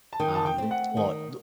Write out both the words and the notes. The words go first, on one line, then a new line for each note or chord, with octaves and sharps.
Um, well, D
A5
D#3 G5
A5
G5
A3 C4
F#5
D#3